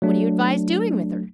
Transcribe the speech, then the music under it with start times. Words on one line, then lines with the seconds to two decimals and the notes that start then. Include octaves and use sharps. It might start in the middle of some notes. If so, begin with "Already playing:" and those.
"What do you advise doing with her?"
0.02 F#3 A3 D4